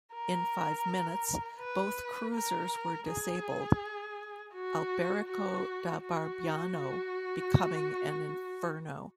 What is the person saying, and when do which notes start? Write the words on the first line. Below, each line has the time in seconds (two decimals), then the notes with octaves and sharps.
In five minutes both cruisers were disabled, "Alberico da Barbiano" becoming an inferno.
0.14 A#4
1.61 B4
2.34 A#4
3.07 G#4
4.54 F#4
5.28 F#4
6.01 F#4